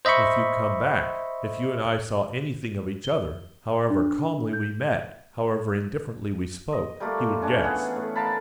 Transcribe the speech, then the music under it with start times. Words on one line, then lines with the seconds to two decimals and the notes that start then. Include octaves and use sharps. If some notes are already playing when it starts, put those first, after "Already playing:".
But if you come back, if you and I saw anything of each other, however calmly we met, however indifferently we spoke, he would guess.
0.05 C5 D#5 E5 B5 C#6
3.04 G7
3.90 D4
4.53 G6
6.73 D#5
7.00 G3 A3 A#3 F4
7.42 C#4 D4
7.63 E3 B3 G#4 F#5
7.96 A2
8.15 A#4 F5 A5 B5